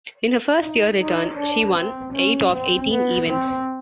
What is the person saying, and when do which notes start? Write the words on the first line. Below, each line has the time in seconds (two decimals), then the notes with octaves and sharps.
In her first-year return, she won eight of eighteen events.
0.60 D#4
0.98 D#4
1.36 D4
1.74 C4
2.13 C#4
2.51 C4
2.90 B3
3.28 C4